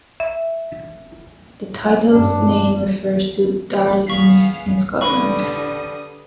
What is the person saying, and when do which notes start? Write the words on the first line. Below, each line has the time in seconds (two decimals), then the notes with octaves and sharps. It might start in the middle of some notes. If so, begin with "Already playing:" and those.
The title's name refers to Darnley in Scotland.
0.20 E5
2.13 G2 D4
4.07 B3 G#4 F5 C#6 B6 C7
5.01 D3 G3 B4 B5 C#6 D#6